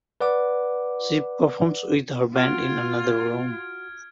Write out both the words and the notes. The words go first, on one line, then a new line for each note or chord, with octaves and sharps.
She performs with her band in another room.
B4 D5 F#5 D6
F4 F#4 F6 G#6 D7